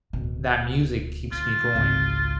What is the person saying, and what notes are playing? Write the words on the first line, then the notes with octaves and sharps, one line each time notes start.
that music keeps me going.
D1 B2
D2 F4
G#1 C#2